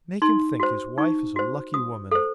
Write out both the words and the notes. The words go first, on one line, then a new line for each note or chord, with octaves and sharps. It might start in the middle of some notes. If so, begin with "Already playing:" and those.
Make him think his wife is a lucky woman.
D#4 C6
F#4 C5
D#4 C#6
F#4 C5
F#4 D#6
A4 C5